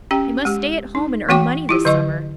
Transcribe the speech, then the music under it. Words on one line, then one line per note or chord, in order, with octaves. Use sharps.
I must stay at home and earn money this summer.
C#4 G4 G5
G#3 G4
D#4
E3 A3 F#4 G5 D6
E4 F4 G4
D3 F#3 D#5 C#6